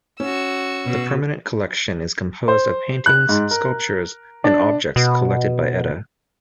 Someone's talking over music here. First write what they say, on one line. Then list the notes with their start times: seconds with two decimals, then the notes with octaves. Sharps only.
The permanent collection is composed of paintings, sculptures and objects collected by Ede.
0.20 C#4 F#4 E6
0.85 B2
2.48 C5
3.06 F#6
3.29 G#2
3.51 A#4
4.44 D4
4.96 B2